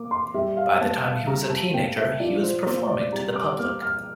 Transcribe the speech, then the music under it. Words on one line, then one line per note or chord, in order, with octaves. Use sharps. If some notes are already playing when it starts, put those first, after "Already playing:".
By the time he was a teenager he was performing to the public.
Already playing: A#3 D6
C6
G3 E5
F5
A#3 A5
A5
G3 A#5
A5
A#3 G5
E5
F3 D5
C5
A#3 C5
D5
G3 A#5
D6
A#3 F6
F6